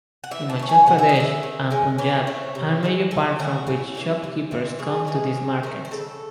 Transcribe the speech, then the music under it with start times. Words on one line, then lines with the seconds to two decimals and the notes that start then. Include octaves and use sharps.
Himachal Pradesh and Punjab are major parts from which shopkeepers come to this market.
0.24 F#5
0.31 E3 E5
0.49 A5
0.59 A3 C#4
0.69 G#5
0.86 C3 F#5
0.98 E5
1.09 D#5
1.15 E3 G#3 E5
1.43 D#3
1.71 G#3 C#4
1.98 E3 C#5
2.27 A3 C4
2.55 C3
2.83 E3 G#3 C4
3.11 E3 A4
3.39 A3 C#4 F#4
3.67 C#3 E4
3.95 E3 G#3 C#4
4.24 C3
4.51 E3 C4
4.79 C#3 G#4
5.07 E3 G#3 C#4
5.35 C3
5.63 D#3 A3 C4
5.85 C5
5.91 C#3 A4